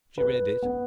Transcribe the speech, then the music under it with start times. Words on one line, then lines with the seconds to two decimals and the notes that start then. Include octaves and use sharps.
She read it.
0.18 B4
0.63 B3